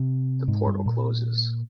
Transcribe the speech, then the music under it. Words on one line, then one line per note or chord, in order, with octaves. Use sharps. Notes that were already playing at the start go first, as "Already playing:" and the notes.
The portal closes.
Already playing: C3
G#2
G2
A#2